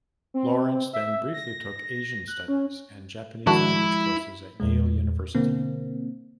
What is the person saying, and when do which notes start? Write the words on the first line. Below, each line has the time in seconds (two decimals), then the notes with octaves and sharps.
Lawrence then briefly took Asian studies and Japanese language courses at Yale University.
0.34 C4
0.93 E5
1.34 A#6
2.28 F#6
2.48 C#4
3.47 D#3 F3 G#3 D4 E4 F#4
4.60 E2 A#2 G#3
5.35 B2 D3 A#3 C4